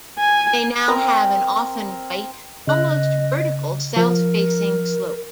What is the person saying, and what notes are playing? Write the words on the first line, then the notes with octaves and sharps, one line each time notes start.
They now have an often white, almost vertical south-facing slope.
G#5
C4 A#4 D#5
C#3 D#5 F#6
F3 A#4